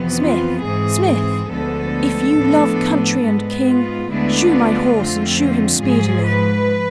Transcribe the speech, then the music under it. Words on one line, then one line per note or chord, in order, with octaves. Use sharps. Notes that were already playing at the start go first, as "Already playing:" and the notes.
"Smith, smith, if you love country and king, shoe my horse, and shoe him speedily."
Already playing: F2 C3 E3 B3
F4
G#2 E3 G#3 C4 G#4
D2 D3 F3 G#3 B3 A4
A2 F3 B3 D4
G#2 G#3 B3
F4
D2 D3 G#3 B3 D4 E4
F4
F2 D3 A3 C4
G#2 F3 G#3 G#4
B4